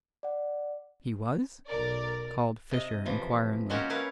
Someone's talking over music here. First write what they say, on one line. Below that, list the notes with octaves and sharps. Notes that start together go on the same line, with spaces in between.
"He was?" called Fischer inquiringly.
D5 F#5
B1 A#4 D5
C3 D#5
E3 F3
G#3 A#3 C#4 F#4 G4 A#4
E4 A#4 B4 C#5 F5